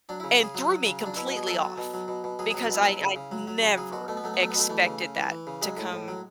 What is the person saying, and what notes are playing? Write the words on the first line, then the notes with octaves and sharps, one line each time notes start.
And threw me completely off because I I never expected that to come
F#3 D4
E4
C#3
F#4
C#3 G#4
F#3
F#3
C#3
F#3
D4
B2 E4
B2 F#4
G#4
F#3 A4
F#3
B2
F#3
B2
B2
F#3 G#4
G#4
F#3
F#4
B2 E4
F#3
C#3
C#3
F#3
F#3
C#3
F#3 G#4
B2 F#4
B2 A3
B3
F#3 A3
B3
F#3 A3
B3
B2 A3
E3 A3
C#3
C#3
E3
E3
C#3
F#3 G#3
A2
A2
F#3